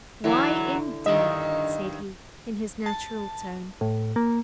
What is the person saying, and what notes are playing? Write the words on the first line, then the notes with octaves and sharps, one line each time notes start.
"Why, indeed!" said he, in his natural tone.
D3 E3 F#3 E4
G2 D#3 D#5 E5
A5
A2
A#3